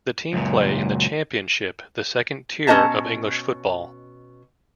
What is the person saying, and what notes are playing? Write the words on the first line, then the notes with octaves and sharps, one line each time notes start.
The team play in the Championship, the second tier of English football.
C#2 F#2 A#2
B2 C#4 G#4 D#5 A5 A#5